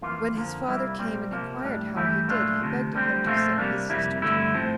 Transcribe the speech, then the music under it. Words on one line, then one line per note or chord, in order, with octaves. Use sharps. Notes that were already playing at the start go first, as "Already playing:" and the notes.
When his father came, and inquired how he did, he begged of him to send his sister to him.
F2 E3 A#3 F4
F2 D3 F3 A#3
C2 C3 G3 A#3 E4
A#2 G3 C4
C3 F3 A#3
A2 G3 D4
G2 E3 A3 E4 G4
A#2 A3 D4 F4
D2 C3 F3
D2 D3 G3 C4
A#2 F3 A3 C4 F4
C3 G3 A#3 D4
F2 C3 G3 A#3 E4
G2 D3 A3 E4
A2 F3 C4